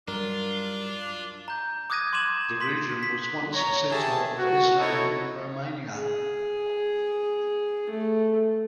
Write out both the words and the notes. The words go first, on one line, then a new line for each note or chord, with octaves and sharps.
The region once was a centre of Islam in Romania.
G2 F#3 D4 F4 A#4
A#5 G6
D6 D#6 F#6 G#6 A#6 D#7
C6 D6 D#7 E7 F#7
C6 B6 F#7
B6
C#5 A#5
G4 G#4 C#5 E5 A5
F#4
D#4 E4 F#4 A4 C#5 D#5
G#4
A3